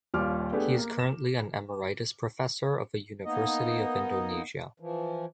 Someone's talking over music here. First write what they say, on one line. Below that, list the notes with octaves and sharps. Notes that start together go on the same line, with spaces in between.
He is currently an Emeritus Professor of the University of Indonesia.
D#1 D#2 G3 F4 D6 F6
A3 B3 D4 G4 G#4
A#3
E7
A#3 B3 D#4 D#5
E3 F3